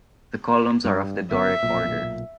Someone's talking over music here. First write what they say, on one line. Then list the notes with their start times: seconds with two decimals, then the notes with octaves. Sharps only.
The columns are of the Doric Order.
0.85 G2
1.31 G1 B3 E5
1.63 B1 A#2